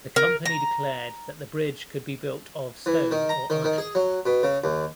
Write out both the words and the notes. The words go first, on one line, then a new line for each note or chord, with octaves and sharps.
The Company declared that the bridge could be built of stone or iron.
A#4
A#5
E3
D#3
A#5
D#3
D#3
G#4
F#3
B2
C#3
D#2